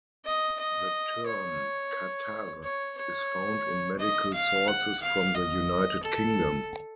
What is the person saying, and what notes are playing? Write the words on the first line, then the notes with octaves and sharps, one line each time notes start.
The term "catarrh" is found in medical sources from the United Kingdom.
D#5
D#5
C#5
C#5
C#5
D#5
F5
F#5
F5
D#5
A4